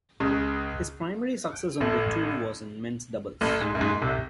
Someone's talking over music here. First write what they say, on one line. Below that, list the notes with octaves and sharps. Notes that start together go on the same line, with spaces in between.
His primary success on the tour was in men's doubles.
C#2 C#3
A1 A2
A1 A2
G#2
F#2
G#2
C2 C3